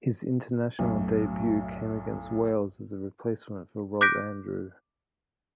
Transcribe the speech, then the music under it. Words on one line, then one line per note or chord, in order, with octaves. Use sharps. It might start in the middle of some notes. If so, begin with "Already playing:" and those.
His international debut came against Wales as a replacement for Rob Andrew.
B1 F#2 A2
D6 F#6 G6 A#6 B6 D7